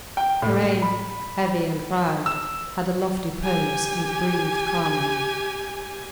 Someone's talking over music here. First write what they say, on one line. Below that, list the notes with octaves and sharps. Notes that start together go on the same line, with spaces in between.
Karain, heavy and proud, had a lofty pose and breathed calmly.
G5
A2
B5
E6
G4 G#5